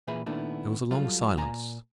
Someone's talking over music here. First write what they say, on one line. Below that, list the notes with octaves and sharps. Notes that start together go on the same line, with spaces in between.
There was a long silence.
A#2 E3 G#4 B4 E5 B5
A#2 D#3 A3 B3 D4 E4
F#3 G3 F4 A4
A#2 G#5 A#5